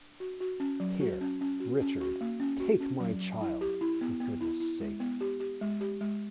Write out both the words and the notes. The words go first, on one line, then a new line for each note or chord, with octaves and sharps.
Here, Richard, take my child, for goodness' sake.
F#4
F#4
C#4
F#3
F#4
C#4
C#4
F#4
C#4
F#4
A#3
C#4
F#4
C#4
F#3
F#3
E4
G4
E4
B3
B3
E4
E4
G#3
B3
G4
G4
G#3
G4
G#3